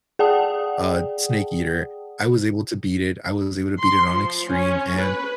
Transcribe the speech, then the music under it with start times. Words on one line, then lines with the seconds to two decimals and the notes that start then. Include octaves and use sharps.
uh, Snake Eater, I was able to beat it; I was able to beat it on extreme, and,
0.19 G#4 D5 F#5 G5 A5 D#6
3.79 C6
4.09 F3
4.46 C#4
4.97 B4